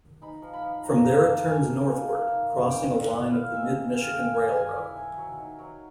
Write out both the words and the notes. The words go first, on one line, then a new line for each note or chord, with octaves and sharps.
From there it turns northward, crossing a line of the Mid-Michigan Railroad.
D#4 B5
F3
B5
F3
F3 A#5
F3 A#5
A#3 A5
A#3 G#5
F3
F3
A#3
D#4
A#3
G#3 G5
E4
F#5
E4
E4 F5
G#3 E5
D#5
C4
C4 F5
G#3 G5
G#3 G#5
G#3 G#5
E4
E4
F#3
D#4
F#3